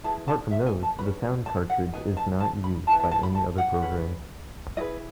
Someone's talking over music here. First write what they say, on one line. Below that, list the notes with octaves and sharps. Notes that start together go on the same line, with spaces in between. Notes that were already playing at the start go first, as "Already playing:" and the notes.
Apart from those the Sound Cartridge is not used by any other programs.
E4 G#4 B4 A5
A5
E5
G#5
A5
C#4 F#4 B4 B5
A5
F#5
D#4 G#4 B4 G#5
A5
A5
B5
E4 G#4 B4 A5
A5
A5
B5
A5
F#5
C#4 G#4 B4
E4 G#4 B4 D#5